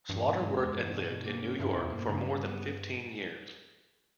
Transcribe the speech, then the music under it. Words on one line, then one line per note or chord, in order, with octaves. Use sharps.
Slaughter worked and lived in New York for more than fifteen years.
E2 G2
G#2 B2
G2 G#3
E2 B3
E2 G2
B2
B2
A#3
C#4
G2 E4
E2 B2
G2 A#3
G2 C#3
G3
B3